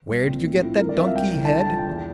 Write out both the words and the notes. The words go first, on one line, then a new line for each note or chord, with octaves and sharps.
Where did you get that donkey head?
C2
A#2 F3 C4
A2
F3 C4 E4
G2 A#4
D5
F3 C4 E5
F5
C2 G5
C3 E3
A5
D3 G5
A5
G3 D4 F4
G5
E2